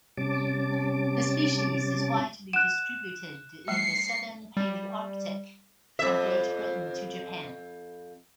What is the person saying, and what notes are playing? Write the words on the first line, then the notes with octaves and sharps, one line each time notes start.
The species is widely distributed in the southern Palaearctic from Great Britain to Japan.
C3 G3 C#4 A5 D6
F#5 F#6 E7
G3 A3 C7 C#7
G3
F2 E5